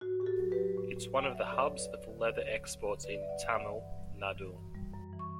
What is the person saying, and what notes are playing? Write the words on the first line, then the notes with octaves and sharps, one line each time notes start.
It's one of the hubs of Leather exports in Tamil Nadu.
A2 F#4
A2 G4
F#4 A4
F#3
G4 B4
F#3
A2
A2
F#3 G5
F#5
F#3 E5
D5
D2 A4 C#5
F#3
B4 D5
D2
D3
D2 A4 C#5
F#3
D2
D3
G2 B4 D5
D5
G3 E5
D5 F#5
G2 E5
D5 F#5
E3
G2
G3
G2
E3
F#2
G3
F#2
E3
C#6